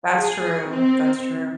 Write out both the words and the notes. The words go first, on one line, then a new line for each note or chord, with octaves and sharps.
That's true, that's true.
G#4
C4